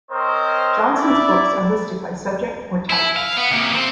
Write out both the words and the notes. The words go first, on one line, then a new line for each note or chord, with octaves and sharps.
Johnson's books are listed by subject or type.
C4 A#4 C5 C#5 D#5
E4 D5
E4
F5
B3
C3 A#3
C4